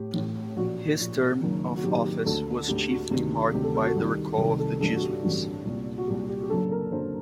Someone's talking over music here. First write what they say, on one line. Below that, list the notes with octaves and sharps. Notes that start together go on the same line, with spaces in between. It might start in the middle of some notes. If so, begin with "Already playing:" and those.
His term of office was chiefly marked by the recall of the Jesuits.
Already playing: A2 G4
A1 A2
A#1 A#2 F#4
A#1 A#2
F#1 F#2 D#3
F#4
F#1 F#2 D#3 G4
G4
D2 D3 A4
D2 D3 G4
F#4
D2 C3 D#3
D2 C3 D#3 G4
A4
A4
F#4
C2 C3 D#3 G4
C2 C3 D#3 A#4
A4
A1 G2 D3 A4
F#4
G4
A1 G2 D3 F#4
C2 A#2
F#4
C2 A#2 G4
G4
G4
F#1 F#2 D3 A4
A#4
F#1 F#2 D3 C5